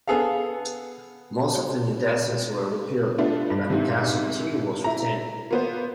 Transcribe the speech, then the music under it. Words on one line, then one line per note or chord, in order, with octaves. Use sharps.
Most of the new taxes were repealed, but the tax on tea was retained.
B3 G#4 A4 F5
A3 B3 D4 F4
G2
G#2 C3
E4 A#5
A#3 B3 C5